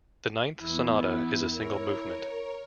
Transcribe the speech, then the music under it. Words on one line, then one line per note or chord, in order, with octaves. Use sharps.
The ninth sonata is a single movement.
E2 B3 E4
E4 A#4 C#5